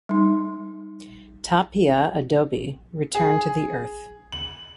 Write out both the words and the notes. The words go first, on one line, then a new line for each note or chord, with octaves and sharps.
Tapia Adobe return to the earth.
G3 D#4
G#4
F#7